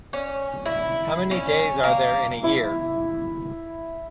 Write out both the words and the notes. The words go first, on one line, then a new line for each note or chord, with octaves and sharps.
How many days are there in a year?
C#4
E4
C#4
A#3
E4 E5